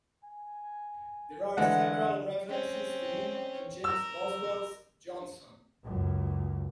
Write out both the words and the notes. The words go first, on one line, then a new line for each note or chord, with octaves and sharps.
There are several references to him in James Boswell's "Johnson".
G#5
D3 E3 G#3 F#5
C4 C#4
A#4 E6
C#2 F#2